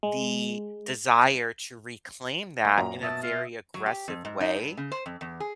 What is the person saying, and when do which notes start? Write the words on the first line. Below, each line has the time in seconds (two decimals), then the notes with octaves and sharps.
the desire to reclaim that in a very aggressive way.
0.03 G#3
2.65 A3
2.78 F#2 A#2 A#5
3.03 B2 E5 A5 D#6 E6
3.23 F4
3.74 F#3
3.86 G4
4.08 F2
4.25 G#2
4.41 D#4
4.56 G2
4.77 C#3
4.92 C5
5.06 F2
5.21 E2
5.40 G#4